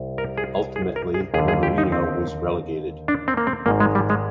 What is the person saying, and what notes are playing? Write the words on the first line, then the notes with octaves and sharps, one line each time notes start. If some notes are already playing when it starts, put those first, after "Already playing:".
Ultimately Nemorino was relegated.
Already playing: C2
A#4
G#4
G#4
A#4
G#4
D#2 D3 G#4
G#4
G4
D#4
C4
D4
C4
A#3
C4
G#1 G#2 D#3 A#3
G#3
G3
G#3